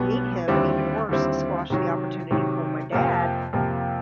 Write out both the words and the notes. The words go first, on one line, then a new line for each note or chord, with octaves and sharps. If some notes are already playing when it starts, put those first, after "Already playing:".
meet him, and even worse, squash the opportunity for my dad
Already playing: B1 B2 G3 B3
D#2 D3 G3 C4 E4
D#2 D3 G3 C4 E4
C3 D#3 F#3
C3 D#3 F#3
F2 C3 F3 A#3
F2 C3 F3 A#3